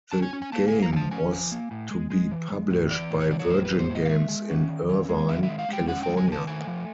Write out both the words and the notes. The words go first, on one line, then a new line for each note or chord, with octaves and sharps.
The game was to be published by Virgin Games in Irvine, California.
C#4 A5
G#5
C#4
G#5
A#3 A5
A#3 G#5
A#5
F3 G#5 A5
C#4 G#5
F3
A#3
A2
G#3
G#3
E3
G#3
A2
E3 D5
A2
C#5
E3 D5
C#5
A2 C5
B4
A2
C5
A2
D#5
F5
G#3 E5
G#3
C#4
D#3
C#4
G#3
D#3 E5
E5
G#3
F5
G#3 G5
C#4 F#5
G#3 G5
G#5
D#3 A5
A3 G#5
F3